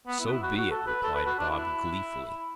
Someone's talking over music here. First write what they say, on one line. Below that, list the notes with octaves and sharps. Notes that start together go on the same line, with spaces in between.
"So be it," replied Bob gleefully.
B3
E4
F#4
E4
F#4
F#4
A4
B4
A4
B4
F#4
D4
E4